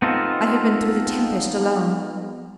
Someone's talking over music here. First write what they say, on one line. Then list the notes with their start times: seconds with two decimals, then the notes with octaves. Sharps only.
I have been through the tempest alone.
0.02 B3 C4 D#4 F4 A4